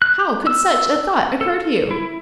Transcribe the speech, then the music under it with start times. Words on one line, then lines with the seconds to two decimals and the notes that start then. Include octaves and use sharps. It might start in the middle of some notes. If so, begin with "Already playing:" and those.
How could such a thought occur to you?
0.02 F#6
0.47 E6
1.41 A4
1.91 E4